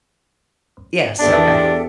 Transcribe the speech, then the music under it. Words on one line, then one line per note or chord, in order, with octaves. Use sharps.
Yes, okay.
E2 B3 D4 G4 A4 E5